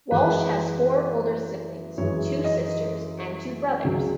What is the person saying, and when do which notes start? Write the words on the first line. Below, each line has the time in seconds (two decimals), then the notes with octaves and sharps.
Walsh has four older siblings: two sisters and two brothers.
0.11 F#2 E3 G#3 B4
1.98 F#2 E3 G#3 C#5
2.44 D#5
3.84 C#2 C#3 F#3